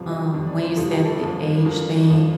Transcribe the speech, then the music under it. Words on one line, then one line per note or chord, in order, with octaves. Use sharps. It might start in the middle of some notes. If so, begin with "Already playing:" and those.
um, when you said the age thing
Already playing: G1 F2 C3 F3
D#5
G1 F2 C3 F3
D5
C5
G1 F2 C3 F3 A4
G4
A4
G1 F2 D3
G1 F2 D3 A#4
G1 F2 D3